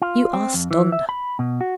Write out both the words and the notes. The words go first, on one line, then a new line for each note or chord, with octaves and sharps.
You are stunned.
F4
C4
F2
E3
E5
B5
B2
F#4